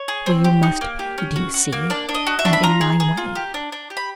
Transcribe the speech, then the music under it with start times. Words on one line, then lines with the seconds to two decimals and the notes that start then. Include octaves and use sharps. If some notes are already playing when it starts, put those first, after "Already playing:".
Well, you must pay, do you see, and in my way?
Already playing: C#5
0.08 G#4
0.26 C4
0.44 G4
0.63 D#4
0.81 A#3
0.99 G4
1.18 C#4
1.36 F#4
1.54 F#4
1.73 A#3
1.90 D4 D5
2.09 D4
2.15 D#5
2.27 F#4
2.39 E5
2.45 D4
2.53 B5
2.63 F4 A#5
2.81 G#4
3.00 G#4
3.17 F4
3.35 G4
3.54 D4
3.72 D4
3.90 G4
3.97 B5